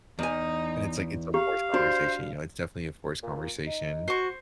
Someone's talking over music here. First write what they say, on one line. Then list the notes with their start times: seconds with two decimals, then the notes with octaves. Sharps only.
And it's like, it's a forced conversation. You know? It's definitely a forced conversation.
0.19 E2 D#4 G#5
1.34 G4 F5
1.74 D4 F#4 C5
3.23 A#2
3.67 D#4
4.08 F#4 C5 C#6